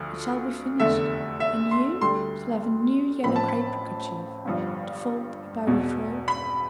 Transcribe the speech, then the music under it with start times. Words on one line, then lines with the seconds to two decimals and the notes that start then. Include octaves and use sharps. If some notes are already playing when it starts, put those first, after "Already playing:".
It shall be finished, and you shall have a new yellow crape kerchief to fold about your throat.
Already playing: D2 D3 F3
0.80 F1 E2 D3 A3 E5
1.40 E5
1.71 C6
2.01 D2 D3 G3 C6
3.23 A1 A2 F3 C4 B5
3.36 A5
3.48 B5
4.45 G1 G2 F3
5.67 E1 E2 B2
6.28 B5